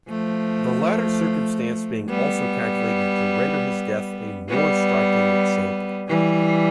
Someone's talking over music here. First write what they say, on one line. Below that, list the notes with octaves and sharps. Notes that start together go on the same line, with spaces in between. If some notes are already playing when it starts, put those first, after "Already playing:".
The latter circumstance being also calculated to render his death a more striking example.
F3 A3
G3 B3
G3 B3
E3 G3